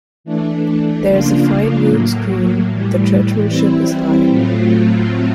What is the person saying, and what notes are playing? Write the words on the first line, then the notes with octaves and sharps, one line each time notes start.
There is a fine rood screen; the churchmanship is High.
E3 A3 D4
C#3 F3 A#3 D4 F4
A2 F#3 A#3
A2 E3 G3
E3 G3 C4 E4
A2 F#3 A3 C4 F4